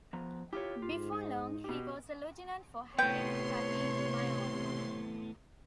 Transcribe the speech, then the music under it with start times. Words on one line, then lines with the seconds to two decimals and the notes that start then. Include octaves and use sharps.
Before long, he was a lieutenant for Harry "Happy" Maione.
0.13 F3 B3 A#5
0.53 E4 F4 G4 C#5
0.82 G#2 F4
1.13 D#4
1.64 B2 G4
2.99 A2 C3 B3 C#5 G5 C6